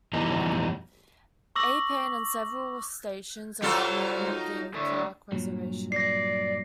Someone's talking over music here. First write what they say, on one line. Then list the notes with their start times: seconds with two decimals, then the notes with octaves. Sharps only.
A. Paine, and several stations are now known within Clark Reservation.
0.13 F2 B2 E3 G3 D#4
1.56 C#6 D6 E6 A#6 F#7
3.62 F#3 G3 F4 A4 C5
4.27 D#4
4.74 A2 D3 A3
5.32 G2 A#2 F#3
5.92 D5 A#6 C7